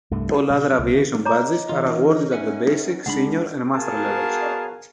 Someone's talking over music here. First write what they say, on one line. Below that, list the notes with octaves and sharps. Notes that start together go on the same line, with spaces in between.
All other aviation badges are awarded at the basic, senior, and master levels.
C2 G2 A3
D3
B2 F#3
C2
D3 E3
C#5 D#5 A#5 D6
E3 C#4 D#4 F4
B4 E5 F#5 G#5
C#2 G#3 D4 F#5 B5
B3 F#4 G#4 A#4 F5 A5